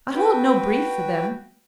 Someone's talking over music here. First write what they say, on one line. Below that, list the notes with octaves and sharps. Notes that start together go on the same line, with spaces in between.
I hold no brief for them.
F#4 B4 G5